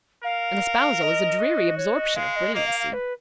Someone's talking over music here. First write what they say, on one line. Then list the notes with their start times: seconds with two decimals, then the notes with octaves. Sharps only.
An espousal is a dreary absorption of brilliancy.
0.24 A#4 F5
1.01 D#5
1.40 F#4
1.77 C#5
1.97 D#5
2.16 G#3 F5
2.36 D#5
2.55 A#3 D#5
2.66 F5
2.79 F5
2.93 B4